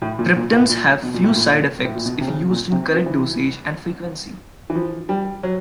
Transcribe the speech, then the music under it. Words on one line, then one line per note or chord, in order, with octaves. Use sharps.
Triptans have few side effects if used in correct dosage and frequency.
A2
A#2
A#2
A2
A#2
B2
A#2
A2
A#2
A2
A#2
B2
C3
C#3
A#2
C3
F3
E3
E3
F3
G3
F#3